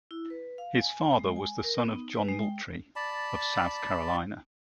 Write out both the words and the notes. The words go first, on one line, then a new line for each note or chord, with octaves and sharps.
His father was the son of John Moultrie of South Carolina.
E4
B4
F5
G#5
G#3
G#5
A#4
B3
D#4
B4
G#3
G5
D5 A5 B5